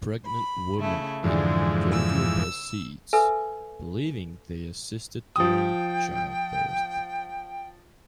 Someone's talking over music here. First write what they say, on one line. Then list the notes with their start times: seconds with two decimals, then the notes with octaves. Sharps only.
Pregnant women ate jojoba seeds, believing they assisted during childbirth.
0.24 B5
0.79 C#3 A3 E4
1.24 F2 G#2 D3 E3 G#3
1.91 E6
3.13 A4 B4 E5 G#5 E6
5.36 F3 G5 D#6